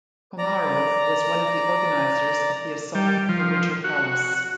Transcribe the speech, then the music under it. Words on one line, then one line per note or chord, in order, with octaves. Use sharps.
Komarov was one of the organisers of the assault of the Winter Palace.
D5 A#5
G3
F3
F#4